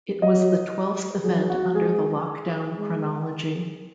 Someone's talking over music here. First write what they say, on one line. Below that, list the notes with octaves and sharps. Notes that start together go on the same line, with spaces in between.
It was the twelfth event under the Lockdown chronology.
F#3 D#5
F#3 G#4
F#4
G#3 G#4
G#3